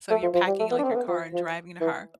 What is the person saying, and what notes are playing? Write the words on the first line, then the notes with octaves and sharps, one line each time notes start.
So you're packing, like, your car and driving to her.
A3
F3
F3
G3
A3
B3
D4
C4
A3
B3
F3
F3
E3